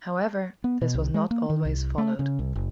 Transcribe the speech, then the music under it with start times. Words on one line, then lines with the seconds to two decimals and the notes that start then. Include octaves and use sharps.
However, this was not always followed.
0.64 B3
0.81 B2
0.94 C2
1.14 G#3
1.31 A#3
1.50 D#3
1.65 C2
1.98 A3
2.19 C#3
2.39 C2
2.56 F#1